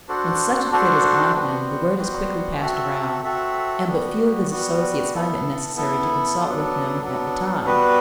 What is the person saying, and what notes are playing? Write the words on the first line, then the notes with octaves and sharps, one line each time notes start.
When such a fit is on him the word is quickly passed around, and but few of his associates find it necessary to consult with him at the time.
D4 F#4 A4 C5
D4 F#4 A4 C5
G3 B3 F#4 C5
G3 B3 F#4 C5
C4 F#4 A4 E5
C4 F#4 A4 E5
G3 B3 F#4
G3 B3 F#4
B3 E4 A4
B3 E4 A4
F#3 B3 D4 A4
F#3 B3 D4 A4
G3 B3 F#4 B4